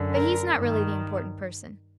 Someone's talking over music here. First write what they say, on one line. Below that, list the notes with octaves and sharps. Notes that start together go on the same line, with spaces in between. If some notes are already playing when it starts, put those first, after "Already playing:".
But he's not really the important person.
Already playing: F#2 D3
A#4
G2
D#3